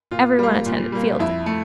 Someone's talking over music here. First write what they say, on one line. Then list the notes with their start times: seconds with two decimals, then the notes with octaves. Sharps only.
Everyone attended Field Day.
0.11 A#2 F4
0.39 G3 A#3
0.66 A#2
0.92 G3 A#3
1.19 F2 E4
1.46 A3